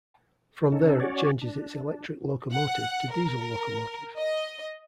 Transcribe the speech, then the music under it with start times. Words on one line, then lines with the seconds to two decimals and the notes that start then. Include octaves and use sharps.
From there it changes its electric locomotive to diesel locomotive.
0.72 C#3 C#4 D#4 A4
1.00 C#4 F#4 C#5 D5
1.42 D4
2.52 F#5
3.12 A#4
4.18 D#5